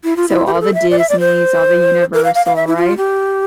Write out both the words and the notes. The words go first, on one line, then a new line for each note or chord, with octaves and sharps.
So, all the Disney's, all the Universal, right?
E4
F4
E4
G4
A#4
A4
E5
D5
E5
D5
C5
A#4
F5
F5
F5
E5
E4
F4
G4